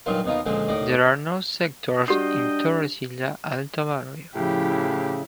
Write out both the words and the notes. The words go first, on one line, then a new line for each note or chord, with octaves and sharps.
There are no sectors in Torrecilla Alta barrio.
G2 A#2 D#3 F#3 F4
D#2 B2 D#4 F4
C#2 A#2 D3 F3 G#3
D#2 A2 D5 D#5 D6
G3 D4 F#4 G4 D#5 G5 D#6 C7
A2 C#3 F3 E4 G4